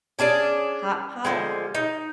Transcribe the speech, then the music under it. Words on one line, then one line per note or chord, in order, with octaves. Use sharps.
Hot pot?
C#4 D4 G#4 D5
D3 F3 G#3
D#4